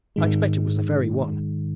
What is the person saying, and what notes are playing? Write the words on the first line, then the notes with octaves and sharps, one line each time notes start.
I expect it was the very one!
G#2 D#3 G#3